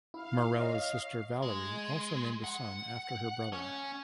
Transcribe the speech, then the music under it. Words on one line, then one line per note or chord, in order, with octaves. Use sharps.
Marella's sister Valerie also named a son after her brother.
E4 F5
C#5 D#5
G#3
F#5
C#4